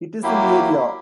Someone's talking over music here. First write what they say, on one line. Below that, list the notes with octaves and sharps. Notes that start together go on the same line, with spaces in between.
It is in area.
F#3 A#3 E4 G4